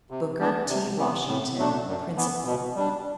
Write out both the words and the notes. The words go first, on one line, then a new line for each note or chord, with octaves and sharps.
Booker T. Washington, Principal.
C3
E3 B3 D4
C3
E3 B3
A2
F#3 A3 D4
F#2
E3 B3
B2
G3 D4